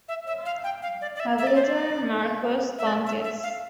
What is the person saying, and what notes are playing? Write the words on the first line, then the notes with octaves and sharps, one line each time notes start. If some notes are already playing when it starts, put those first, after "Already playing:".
Aviator Marcos Pontes.
E5
E5
F5
G5
F5
D5
D5
E5
E5
D5
C5
D5
E5
D5
E5
E5
F5